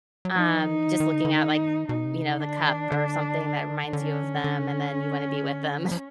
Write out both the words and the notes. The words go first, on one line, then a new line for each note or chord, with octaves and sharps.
um, just looking at, like, you know, the cup or something that reminds you of them and then you wanna be with them,
F#3
F3 D#4
E3
F3
E3
D#3
D#3
D3
D3
D#3
B2 D#4
C3
C#3
D3 D4
D#3
D3
D3 C#4
D3
C#3
D3
F3